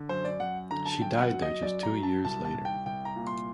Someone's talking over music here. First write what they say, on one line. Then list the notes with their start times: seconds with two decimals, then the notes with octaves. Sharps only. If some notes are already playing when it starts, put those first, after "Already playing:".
She died there just two years later.
Already playing: D3
0.09 F#2 C5
0.25 D5
0.40 F#2 F#5
0.71 D3 A#5
0.86 A5
1.01 F#2 G5
1.22 F#5
1.33 F#3
1.42 D#5
1.62 F#2 D5
1.83 A#5
1.94 F#3
2.03 A5
2.25 C2 A5
2.45 A5
2.54 C2
2.65 G5
2.86 C2 G5
3.05 A#5
3.16 A#2
3.27 C6